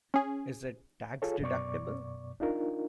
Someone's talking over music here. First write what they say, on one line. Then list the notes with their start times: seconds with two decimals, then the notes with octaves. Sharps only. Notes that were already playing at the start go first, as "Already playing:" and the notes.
Is it tax-deductible?
0.14 C#4 G#4
1.22 F4 G#4 A4 C#5
1.41 F#2 B2 D5 C#6 D6
2.40 D4 D#4 F4 A#4